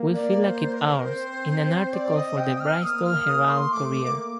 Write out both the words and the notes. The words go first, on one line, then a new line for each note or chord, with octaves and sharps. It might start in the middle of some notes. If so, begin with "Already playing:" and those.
We feel like it ours, in an article for the Bristol Herald Courier.
Already playing: A#3
D5
C5
A#4
C4 C5
D5
D#5
G5
D#6
F6
A#3 D#6
F6
D#6
C6
A3 D6
A#3